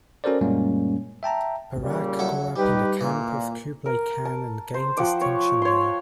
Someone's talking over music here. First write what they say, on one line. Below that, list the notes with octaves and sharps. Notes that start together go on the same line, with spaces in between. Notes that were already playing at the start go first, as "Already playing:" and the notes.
Baraq grew up in the camp of Kublai Khan and gained distinction there.
C#4 F#4 A4 A#4 C5 D5
F#2 A#2 G3 G#3 A#3 C#4
E5 G5 A5 A#5
A#2 C#3 G3
F#3 E4 A4
G3 D#4 G4 B4
A#2 E3
A#4
A5
C5
F3 F#5 G5 D6
C#5
C#5 C6